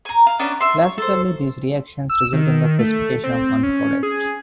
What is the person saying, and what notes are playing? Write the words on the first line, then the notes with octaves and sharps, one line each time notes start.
Classically, these reactions result in the precipitation of one product.
G#5 A#5
F5
B3 C#4 D4
E5 C6
C#5
A4 C5
E6
D#3
A3
C4
C#4
G#4